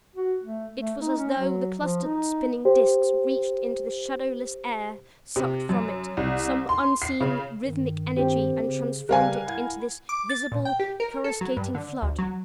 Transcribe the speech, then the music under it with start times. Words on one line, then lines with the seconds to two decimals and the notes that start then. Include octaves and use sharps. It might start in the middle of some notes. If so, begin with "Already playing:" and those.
It was as though the clustered, spinning disks reached into the shadowless air, sucked from it some unseen, rhythmic energy and transformed it into this visible, coruscating flood.
0.16 F#4
0.43 A3
0.79 A3
1.01 D#4
1.18 C#4
1.39 F#3
1.78 F3
2.03 D#4
2.65 G4 C5
5.36 C3
5.69 F#2
6.17 C2
6.69 C6
7.02 C7
7.20 C#3
7.65 G2 D#3
8.16 C4 G4
8.65 C#3
9.09 C#3 G3 A#4 B4 D5 F5 G#5
9.47 E4 F#5 G#6
10.09 D6
10.29 A6
10.52 A#2
10.65 G5
10.80 G4
11.00 A#4
11.24 A4
11.41 F#3
11.57 G2
11.75 D3
12.02 D2
12.19 F#3